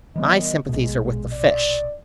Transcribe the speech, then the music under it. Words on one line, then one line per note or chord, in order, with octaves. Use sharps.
"My sympathies are with the fish."
A#2 E3 G3 B3 D#5
A#1 B2 G#3
D5